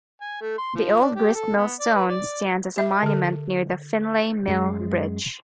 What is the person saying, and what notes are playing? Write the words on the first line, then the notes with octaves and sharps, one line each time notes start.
The old grist-mill stone stands as a monument near the Finlay Mill bridge.
G#5
A3
C6
F3
D4
G4
A4
B3
D5
B4
D5
G4 E5
D3 A4
F#2 G#3